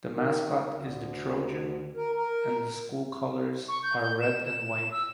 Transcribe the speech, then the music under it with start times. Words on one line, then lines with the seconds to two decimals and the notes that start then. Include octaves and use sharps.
The mascot is the Trojan and the school colors are red and white.
0.10 D#3
0.69 D2
1.96 A#4
2.15 A#4
3.68 C#6
3.83 G6
4.00 G6
4.21 E7
4.46 E7
4.92 E6